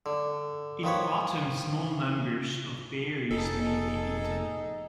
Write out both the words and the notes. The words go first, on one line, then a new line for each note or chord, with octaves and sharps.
In autumn small numbers of berries may be eaten.
D3
D#3 F3 B4 C#5
F1 D#4 G#4 A4